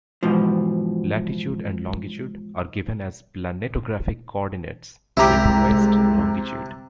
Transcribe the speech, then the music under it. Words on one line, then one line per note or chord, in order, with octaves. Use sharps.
Latitude and longitude are given as planetographic coordinates with west longitude.
G#2 B2 E3 F3
C2 C3 G#3 E4 G4 A#5 B6